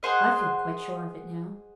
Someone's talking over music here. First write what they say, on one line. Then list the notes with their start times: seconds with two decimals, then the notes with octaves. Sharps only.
"I feel quite sure of it now."
0.03 G#4 C5 D#5 F#5